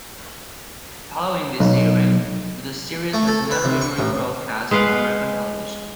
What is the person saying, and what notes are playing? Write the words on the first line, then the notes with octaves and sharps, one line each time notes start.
Following this airing, the series has never been rebroadcast on American television.
B1
A3
A4
B4
C3
C#6
A1
G#3 B4 F5 F#5